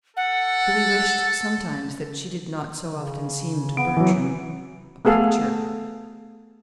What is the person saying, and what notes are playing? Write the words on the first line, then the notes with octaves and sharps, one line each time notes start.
Billy wished, sometimes, that she did not so often seem to Bertram--a picture.
A4 F#5
C#3
B3 D7
E3 F#3
A3 B3 G#4 A4 F5